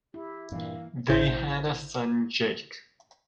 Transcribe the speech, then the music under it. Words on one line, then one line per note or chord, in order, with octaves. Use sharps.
They had a son Jake.
E4 G4
G2 A#2 E3 A#3 F5
A1 E4 C5 G6